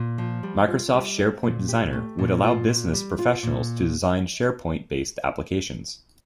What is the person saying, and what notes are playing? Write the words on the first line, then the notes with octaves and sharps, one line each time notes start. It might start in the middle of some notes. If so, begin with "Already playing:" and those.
Microsoft SharePoint Designer would allow business professionals to design SharePoint-based applications.
Already playing: A#2
F3
G3
F4
G3
C4
A#2
G4
A3
A#2
F4
A#2
G3
F4
A#2